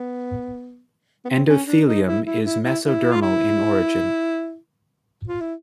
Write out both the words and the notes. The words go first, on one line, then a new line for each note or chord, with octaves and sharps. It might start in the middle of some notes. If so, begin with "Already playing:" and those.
Endothelium is mesodermal in origin.
Already playing: B3
B3
C4
C#4
D4
D#4
E4
E4
E4
E4
E4
F4
E4
F4
E4